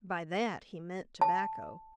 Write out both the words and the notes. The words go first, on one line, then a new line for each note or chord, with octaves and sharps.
By that he meant tobacco.
A5